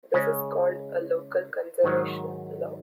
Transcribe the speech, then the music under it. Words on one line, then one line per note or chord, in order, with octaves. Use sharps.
This is called a "local conservation" law.
C#3 G#3 C#4
G#2 D#3 F#3